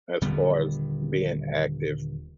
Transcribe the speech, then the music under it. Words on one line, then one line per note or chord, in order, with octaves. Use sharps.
as far as being active,
D#1 D3 G3 B3